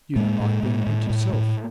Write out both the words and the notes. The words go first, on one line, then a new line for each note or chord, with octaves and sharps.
You don't like being hit yourself.
A2 G#3 A#3
A2
A2
A2
A2
A2